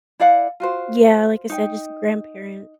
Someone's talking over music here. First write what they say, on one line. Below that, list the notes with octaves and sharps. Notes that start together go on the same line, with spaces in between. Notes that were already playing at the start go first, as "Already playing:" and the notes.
Yeah, like I said, just grandparents,
E4 D5 F5 F#5
F4 F#4 C5
D#4 G5